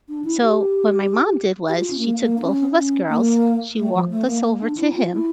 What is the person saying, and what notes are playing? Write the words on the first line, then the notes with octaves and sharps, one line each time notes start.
So what my mom did was she took both of us girls, she walked us over to him,
D4
E4
G4
G4
F4
C#4
A#3
A#3
D4
C#4
C#4
A#3
A3
F3
A3
A#3
A#3
D4
E4
F4
E4